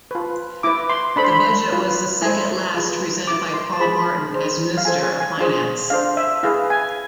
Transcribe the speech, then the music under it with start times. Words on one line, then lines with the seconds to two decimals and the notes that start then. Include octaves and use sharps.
The budget was the second last presented by Paul Martin as Minister of Finance.
0.11 F4 B4
0.63 E4 B4 D6
0.90 C6
1.16 D4 A4 C5 B5
1.25 C6
1.32 B5
1.70 F4 B4
2.22 E4 A4 C5 G#5
2.74 F4 G#4 B4
3.27 E4 B4 D6
3.54 C6
3.73 A5
3.79 F4 G#4 C5 B5
4.33 D4 G#4 C5
4.77 F5
4.85 F4 A4 C5 G#5
5.03 G#5
5.20 G#5
5.37 D4 F4 G#4 C5
5.90 D4 A4 C5 F5
6.17 E5
6.43 E4 G#4 B4 F5
6.70 G#5